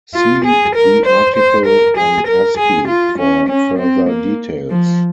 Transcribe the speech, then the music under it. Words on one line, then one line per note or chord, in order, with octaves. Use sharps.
See the article on asci for further details.
F4
G#4
A#4
C5
C5
A#4
G#4
A#4
G#4
F4
C#4
C#4
C4
A#3
F3